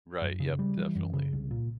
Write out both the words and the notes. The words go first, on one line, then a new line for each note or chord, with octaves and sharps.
Right, yep, definitely.
F#2
C#3
G3
E3
F#2
C#3
C2
A#2